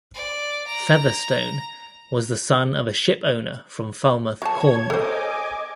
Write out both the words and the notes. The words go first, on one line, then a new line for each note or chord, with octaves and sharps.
Featherstone was the son of a ship owner from Falmouth, Cornwall.
D5
A#5
F#3 C#5 A5 G#6
A4 C5 D#5 G#5 D6